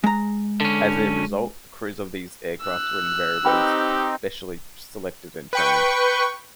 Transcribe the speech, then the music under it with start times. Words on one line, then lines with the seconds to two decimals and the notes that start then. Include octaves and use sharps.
As a result, the crews of these aircraft were invariably specially selected and trained.
0.04 G#3 A#5
0.61 D3 C#4
2.62 E6 F#6
3.45 C4 D#4 G4 B4 G5 B5
5.53 B4 G5 C#6